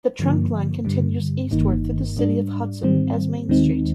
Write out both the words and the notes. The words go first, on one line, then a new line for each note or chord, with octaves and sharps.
The trunkline continues eastward through the city of Hudson as Main Street.
G2 D3 F3 A#3
G2 D3 G3
G1 G2 D#3 A#3 D#4
G#2 G3 D4
G#2 D#3 G3 C4
D#2 D#3 G#3 C4 D#4